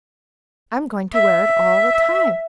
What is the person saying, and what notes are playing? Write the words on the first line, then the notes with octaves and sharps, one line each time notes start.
"I'm going to wear it all the time."
E5